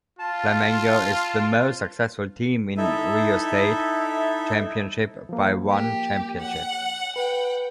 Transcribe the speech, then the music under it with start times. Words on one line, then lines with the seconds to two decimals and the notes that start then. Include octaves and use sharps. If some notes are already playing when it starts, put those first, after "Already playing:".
Flamengo is the most successful team in Rio State Championship by one championship.
0.19 F4 A5
2.77 D#4 E4 A4 E5
5.29 F3 A#3
5.70 G4
6.40 F#5
7.16 B4 F#5 G5